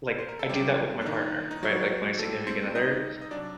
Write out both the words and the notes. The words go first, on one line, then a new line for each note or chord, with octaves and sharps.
like I do that with my partner, right? Like, my significant other.
C5
A#4
A4
C3 D#3 F#3 G3 G4
D4
A#2 D#3 G3 D#4
D#4
A#2 F#3 G3 F#4
A#2 G3 A3 A4
C4 C5
C3 G3 D#4 D#5
D#5
C3 F#3 D4 D5